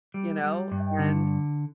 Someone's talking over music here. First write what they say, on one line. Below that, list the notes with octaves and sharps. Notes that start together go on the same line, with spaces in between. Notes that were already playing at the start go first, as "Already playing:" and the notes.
you know? And,
G3
G3
G2
D3